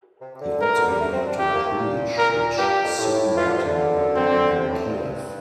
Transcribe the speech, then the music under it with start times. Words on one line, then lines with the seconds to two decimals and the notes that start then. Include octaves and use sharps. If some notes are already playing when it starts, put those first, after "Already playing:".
He also began to preach, which soon made him well known in Kiev.
0.21 C3
0.35 C3
0.41 D3
0.61 E3 A#4
0.74 D3
0.87 G3
1.00 A3
1.12 C4
1.26 D4
1.39 C4 G4
1.48 A3
1.53 A#3
1.66 A3
1.78 A#2
2.18 A#4
2.58 G2 G4
2.84 F2
2.98 A2
3.37 E3 F4
3.45 D3
3.55 C3
3.64 D3
4.16 C4
4.55 C3
4.69 A2
4.81 G2